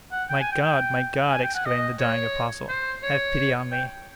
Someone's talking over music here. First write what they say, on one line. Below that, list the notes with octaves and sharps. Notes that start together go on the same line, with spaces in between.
"My God! my God!" exclaimed the dying apostle, "have pity on me!"
F#5
G5
G#5
G5
G5
G#5
G5
F#5
D#5
C#5
C5
C#5
G5